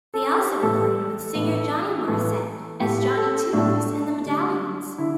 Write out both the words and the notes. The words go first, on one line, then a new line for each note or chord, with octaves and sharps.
They also recorded with singer Johnny Morrisette, as Johnny Twovoice and The Medallions.
A4
G4
A2 E3 G3 A4
A2 E3 A3
A2 E3 A3
A2 A3 G4
A4
A2 A3 D4
D3 G3
D3 E4